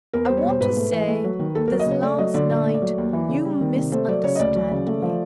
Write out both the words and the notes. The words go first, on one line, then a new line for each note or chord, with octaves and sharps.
I want to say--this last night--you misunderstand me.'
E2 A#4
G3 C5
C#5
B2 C5
G#2 B4
A3
E3
A3
F#3
D#3
D#2 A4
F#3 A#4
D#5
C#3 C#5
A3 D5
F#3 D#5
D3 D5
A#2 D5
A3
D5
F#3
D#2
E3
C#3
G3
D#3
C3
A3 C5
F#3 D5
C#3 C#5
D#5
D2 D5
F#3
C#3
A3
F3